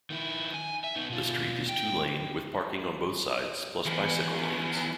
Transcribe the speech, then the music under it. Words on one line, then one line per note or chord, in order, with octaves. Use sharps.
The street is two-lane with parking on both sides plus bicycle lanes.
D#3 E4
G#5
E5
B3 D#4
B2 F4
G5
E2 E3